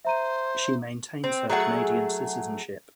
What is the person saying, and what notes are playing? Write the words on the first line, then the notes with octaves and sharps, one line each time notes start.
She maintains her Canadian citizenship.
C5 E5 A#5 D#7
C4
F#3 A3 G#4 F#5